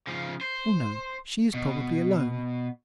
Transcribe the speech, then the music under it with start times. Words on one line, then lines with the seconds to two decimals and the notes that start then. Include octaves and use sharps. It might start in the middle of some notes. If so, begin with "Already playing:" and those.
"Oh, no; she is probably alone."
0.07 C#3 F3
0.41 C5
1.54 B2